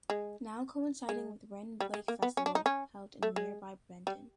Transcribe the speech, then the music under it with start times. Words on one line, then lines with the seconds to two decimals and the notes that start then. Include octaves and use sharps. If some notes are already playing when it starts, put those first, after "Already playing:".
Now coinciding with Rend Lake Festival, held in nearby Benton.
0.10 G#3
1.09 G#3
1.80 G3
1.94 G#3
2.08 A#3
2.22 B3
2.37 C#4
2.46 D4
2.55 D#4
2.66 C#4
3.23 A3
3.36 G#3
4.07 G3